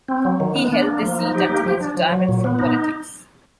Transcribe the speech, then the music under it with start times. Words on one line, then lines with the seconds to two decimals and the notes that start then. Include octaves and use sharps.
He held this seat until his retirement from politics.
0.08 C4
0.25 F#3
0.40 D#3
0.56 B3
0.72 D4
0.87 A#3
1.02 F3
1.19 D#4
1.35 G4
1.49 A#3
1.66 F3
1.80 D4
1.97 F3
2.12 F#3
2.29 A#2
2.44 B3
2.59 D#4